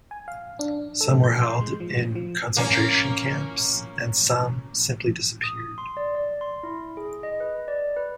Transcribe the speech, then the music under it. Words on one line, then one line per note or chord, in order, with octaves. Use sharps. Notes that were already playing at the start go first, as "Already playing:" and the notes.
Some were held in concentration camps and some simply disappeared.
G#5
F5
D4
A4
G6
C6
G#3
F3
F3
A#3 C#4
D#6
C6
D5
D5
C6
E4
G#4
D#5
B4
D5
B4